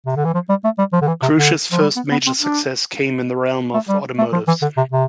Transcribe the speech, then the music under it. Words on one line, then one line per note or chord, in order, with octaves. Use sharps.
Cruce's first major success came in the realm of automotives.
C3
D3
E3
F3
G3
A3
G3
F3
D3
E3
C3
D3
F3
G3
B3
B3
C4
D4
A3
G3
A3
F3
E3
D3
C3
C3